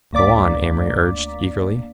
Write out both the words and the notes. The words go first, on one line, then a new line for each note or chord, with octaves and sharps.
"Go on," Amory urged eagerly.
D2 A#3 D5 D6 B6